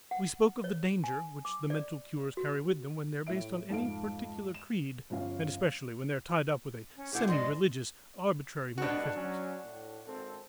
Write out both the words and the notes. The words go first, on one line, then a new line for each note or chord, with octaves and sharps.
We spoke of the danger which the mental cures carry with them when they are based on any particular creed, and especially when they are tied up with a semi-religious arbitrary metaphysics.
F#5
C#5
G#5
D6
D5
F#4
A2 E5 D7
F2 G#2 A3 F5 D7
E7
G1 F3 C#4 F5
C#4
D3 E4 G4 G#4 F#5 G6
G#2 E3 D4 D#5 C6
C2 G#2 B2 D4 F#4
F#3 C#4
A2
G#1 C4 A4